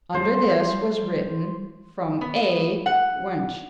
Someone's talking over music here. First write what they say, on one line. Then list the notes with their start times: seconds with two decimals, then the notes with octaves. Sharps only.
Under this was written, "From A. Wunsch."
0.14 F#3 G3 C5
2.21 B3
2.86 F#5